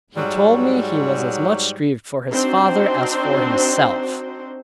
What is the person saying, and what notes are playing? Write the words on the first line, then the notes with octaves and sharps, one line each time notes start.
He told me he was as much grieved for his father as for himself.
G#2 F#3 G3
C4 D4 D#4 F#4 C5